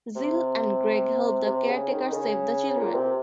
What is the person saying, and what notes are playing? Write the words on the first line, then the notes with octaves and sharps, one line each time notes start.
Jill and Gregg help the caretakers save the children.
C3
C3
C#3
D#3
C#3
A#2
C3